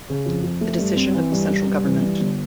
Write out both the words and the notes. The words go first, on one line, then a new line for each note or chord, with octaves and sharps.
The decision of the Central government.
C#3
F2
F2
A3
G2
C4
E3
G2
G2
G2
E3
G2
G1